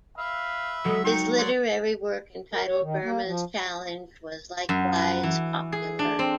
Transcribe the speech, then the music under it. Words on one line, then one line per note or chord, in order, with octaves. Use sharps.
His literary work entitled "Burma's Challenge" was likewise popular.
B4 E5 F5
F#3 G#3 A4 D#5
D#4 G5 C#6
F#3 C#5 D5 C6 F#6
A#4
C#5
D#3
A#3
F3
F#2
B4
E3
G#4
D4
C4